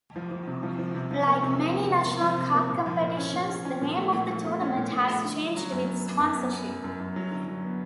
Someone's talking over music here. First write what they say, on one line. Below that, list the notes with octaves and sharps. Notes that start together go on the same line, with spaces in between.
Like many national cup competitions, the name of the tournament has changed with sponsorship.
F3
F3
C3
F3
F3
C3
F3
A#3
C3
F3
A#3
C3
A#3
F3
C3
A#3
A#2
F3
A#2
C#4
A#2
C#4
C#4
A#2
A3
A#2
F3
A3
C#4
A#2
A#2
A3
D3
F#3
F#3
F#2
B3
B3
F#2
B3
B3
F#2
F#2
F#2
F#3
D3
F#3
B3